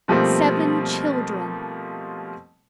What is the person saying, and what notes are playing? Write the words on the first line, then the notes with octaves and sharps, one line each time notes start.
Seven children!
B2 F3 G3 A3 A#3 C4